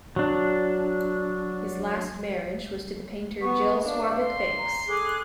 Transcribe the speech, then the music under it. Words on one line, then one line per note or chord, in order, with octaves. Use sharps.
His last marriage was to the painter Jill Swarbrick-Banks.
F#3 D4
B3 C#6
D4 F5
C6
A#5
G#4 A4 D6 F#6